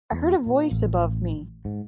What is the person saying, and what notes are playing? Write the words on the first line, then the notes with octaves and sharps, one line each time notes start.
I heard a voice above me.
E2
A#2
A1
G#2